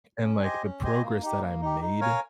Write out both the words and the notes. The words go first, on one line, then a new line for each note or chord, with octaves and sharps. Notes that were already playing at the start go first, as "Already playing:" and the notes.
and, like, the progress that I made
C#4
G4 C5 D#5 G#5
C#4
G4 C5 D#5 G#5
A#3
D#4 G4
A#3
D#4 G4
D#4
A#4 C#5 F5 G#5